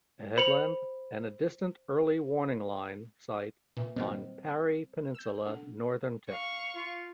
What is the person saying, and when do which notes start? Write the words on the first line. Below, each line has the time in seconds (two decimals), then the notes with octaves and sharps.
A headland, and a Distant Early Warning Line site on Parry Peninsula northern tip.
0.37 C5 B5 C#7 F7
3.77 A#2 B4 E5
3.96 A#2 D#3 F#3 G3 C4
5.14 E6 G6
5.45 D4 A4 F#5
6.31 F5 C#6
6.75 F4